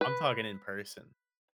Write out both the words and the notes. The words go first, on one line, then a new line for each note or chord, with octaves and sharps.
I'm talking in person.
B4